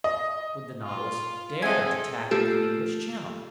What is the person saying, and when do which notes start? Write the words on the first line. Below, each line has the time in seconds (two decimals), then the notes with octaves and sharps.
Would the Nautilus dare to tackle the English Channel?
0.04 D#5
0.83 F4
1.62 C4 G#4 A4 D#5 E5 F#5 G#5
2.31 A3 F4 G4 A4